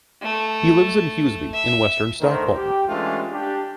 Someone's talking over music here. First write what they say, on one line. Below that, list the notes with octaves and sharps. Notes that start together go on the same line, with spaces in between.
He lives in Husby in western Stockholm.
A3
E5
D3 D#3 A3 A#4 C5
G4
E3 G#3 A3 C#4 D4 F4
D4 G4